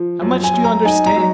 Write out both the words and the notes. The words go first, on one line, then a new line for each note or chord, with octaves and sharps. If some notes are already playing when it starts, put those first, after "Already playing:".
How much do you understand?
Already playing: F3
F#2
G#5
F#2
A#5
D#4 G#5
A#5
F#3